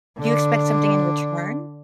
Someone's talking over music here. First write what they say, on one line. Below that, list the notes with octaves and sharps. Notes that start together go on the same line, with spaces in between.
Do you expect something in return?
D3 D4